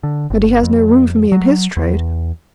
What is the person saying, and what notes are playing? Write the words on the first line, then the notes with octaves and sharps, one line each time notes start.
And he has no room for me in his trade.
D3
G1
F2
F#3
E2